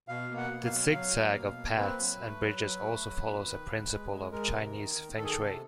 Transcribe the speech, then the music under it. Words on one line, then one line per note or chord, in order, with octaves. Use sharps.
The zig-zag of paths and bridges also follows a principle of Chinese Feng Shui.
B2 F5
A#3
F#5
B2
F5
F#3
F#3 F5
A#3
B2
A#3
C4 B4
F#3
A3
F#3
F#3
A3
F#3
A#2
D#3
D2
G#3
G#3
G#3 A#4
C3
D#3
D#3
D#3 A4
G#4
A4
C3